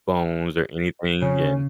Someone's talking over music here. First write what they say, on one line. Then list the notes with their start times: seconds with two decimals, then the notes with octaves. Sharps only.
bones or anything and
1.22 C#3 C#4